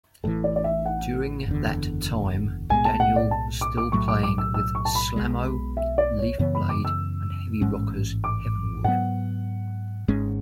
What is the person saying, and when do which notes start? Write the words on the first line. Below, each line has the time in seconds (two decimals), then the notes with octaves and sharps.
During that time Daniel was still playing with Slamo, Leafblade, and heavy rockers Heavenwood.
0.24 A1 A2 E3 A4
0.44 D5
0.56 D5
0.64 E5
0.86 F#5
1.46 F#1 E2 D3
2.69 B1 A2 G#3 B3 G#5
2.85 A5
3.00 F#5
3.16 D5
3.31 A5
3.61 D6
3.77 D6
3.92 B1 A2 F#3 A3 C#6
4.08 D6
4.23 D6
4.38 E6
4.54 E6
4.75 C#6
4.85 A5
4.95 B5
5.16 B1 B2 G#3
5.77 E5
5.98 D5
6.19 C#5
6.38 F#2 C#3 E3 B3 C#5
6.55 B5
6.69 D6
6.85 E6
7.61 A1 G#2 G#3 C#4
8.24 D6
8.84 G#2 F#3 B3 F#5
10.08 G#1 G#2 G#3 C#4